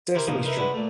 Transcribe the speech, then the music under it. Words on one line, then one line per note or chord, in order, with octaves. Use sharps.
Sesame Street.
E4 G4 A#4 C5 G#5
C2 G2 F3 A#3 D#4
D#4 A#4 B4 E5
G3 G#3 E4 F#4 B4
A#2 A3